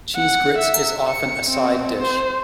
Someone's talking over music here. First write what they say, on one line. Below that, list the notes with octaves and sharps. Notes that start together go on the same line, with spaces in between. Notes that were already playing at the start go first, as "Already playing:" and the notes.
Cheese grits is often a side dish.
F#5
E5
C#7
C4
C5